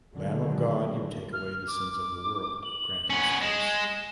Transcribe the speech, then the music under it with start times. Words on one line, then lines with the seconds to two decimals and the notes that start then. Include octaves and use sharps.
Lamb of God, you take away the sins of the world: grant us peace.
0.12 A#2 D3 D#3 F#3 G#3 A3
1.33 F6
1.67 D6
2.64 F#7
3.10 B3 C#4
3.42 G#3 E7